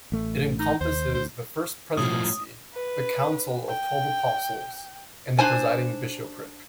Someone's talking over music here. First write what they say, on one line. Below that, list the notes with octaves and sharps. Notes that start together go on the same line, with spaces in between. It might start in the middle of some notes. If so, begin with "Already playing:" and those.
It encompasses the First Presidency, the Council of Twelve Apostles, and the Presiding Bishopric.
A1 A3
D#4
D#2 C5
D2 C5
A2 F3 D#6
B4
G5
D4 C5 G#5